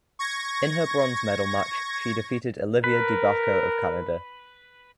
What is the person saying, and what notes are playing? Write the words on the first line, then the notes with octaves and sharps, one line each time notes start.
In her bronze medal match she defeated Olivia Di Bacco of Canada.
C#6 G#6 A#6
A#4 B4